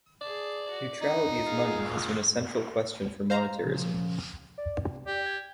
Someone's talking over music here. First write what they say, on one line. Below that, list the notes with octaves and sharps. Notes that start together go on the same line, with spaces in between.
Neutrality of money has been a central question for monetarism.
G#4 D5 A5
F#4
C#4 D#4 F#5
F4 G#4 A#4
C5 F5 A#5
A#2 C#3 F3
D5
C3
G4 D5
G#6